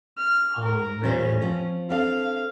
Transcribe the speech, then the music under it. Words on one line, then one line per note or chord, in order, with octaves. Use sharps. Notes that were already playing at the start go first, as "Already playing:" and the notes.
Oh, man.
F6
A#4
E2 G3 C#4 C5
F3 C4 F4
C4 D4 A4 F5